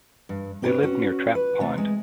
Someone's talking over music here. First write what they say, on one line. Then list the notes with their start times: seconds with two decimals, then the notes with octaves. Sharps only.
They lived near Trap Pond.
0.29 G2
0.62 C4 D4 G#4 A#4 B4 C#5
0.83 C#4 F#4
1.35 B4
1.60 C3 A3
1.78 G#3